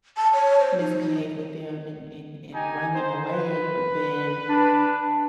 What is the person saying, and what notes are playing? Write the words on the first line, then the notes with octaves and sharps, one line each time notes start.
misbehave with them and and and run them away, but then
A5
C#5
C5
D#4
D#4 G4 G#5
D#4 C5
B4
D4